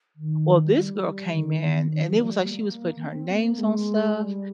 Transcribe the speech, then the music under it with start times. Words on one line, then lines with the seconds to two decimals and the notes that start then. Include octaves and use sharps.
Well this girl came in, and it was, like, she was putting her names on stuff,
0.16 D#3
0.66 G#3
0.73 G3
1.30 D#3
1.37 D3
1.45 D#3
1.88 D#3
2.01 F3
2.16 G3
2.30 G3
2.45 A#3
3.02 C4
3.30 A#3
3.49 A#3
3.59 G#3
4.16 G3